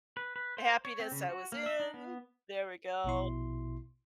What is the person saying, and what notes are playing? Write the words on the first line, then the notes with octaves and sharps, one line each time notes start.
Happiness I was in. There we go.
B4
B4
C5
C#5
C4
C#3
F#4
A#3
E5
D#4
B3
A#1 B2 E4 C6